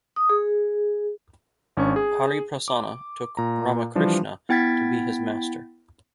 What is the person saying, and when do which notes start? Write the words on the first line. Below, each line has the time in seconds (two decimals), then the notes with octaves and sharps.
Hariprasanna took Ramakrishna to be his Master.
0.16 D#6
0.30 G#4
1.77 G#1 C#4 D4 C#6
1.96 G#4
2.68 D6
3.37 A#2 A#5
3.95 E3 F3 G3 D4
4.49 B3 E4 G5 G#6 A6 B6